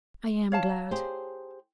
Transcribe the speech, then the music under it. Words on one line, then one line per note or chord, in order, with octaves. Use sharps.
'I am glad.
C#5 F5 A5
G4 G#4 C5